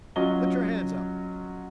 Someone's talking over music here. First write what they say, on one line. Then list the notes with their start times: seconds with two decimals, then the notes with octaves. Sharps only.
"Put your hands up!"
0.16 F#3 C#4 F4 D#5 G7